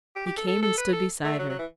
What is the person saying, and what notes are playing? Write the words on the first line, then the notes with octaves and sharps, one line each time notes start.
He came and stood beside her.
G4
G4
A4
A4
A4
B4
A4
A3
F#3
F#3
E3